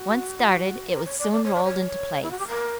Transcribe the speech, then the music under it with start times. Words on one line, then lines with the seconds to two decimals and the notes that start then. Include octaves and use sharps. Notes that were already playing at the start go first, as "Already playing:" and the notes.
Once started, it was soon rolled into place.
Already playing: F#4
0.92 A#4
1.05 C#5
1.18 D5
1.31 D5
1.43 C#5
1.54 D5
1.64 C#5
2.23 E4
2.31 F#4
2.39 G4
2.48 A#4